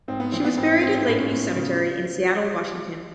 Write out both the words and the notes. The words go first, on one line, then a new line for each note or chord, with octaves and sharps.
She was buried at Lake View Cemetery in Seattle, Washington.
G#2 C4
B3
E3 C4
B3
G#2 C4
G#2 C4
A2 B3 C#4
A2
C#3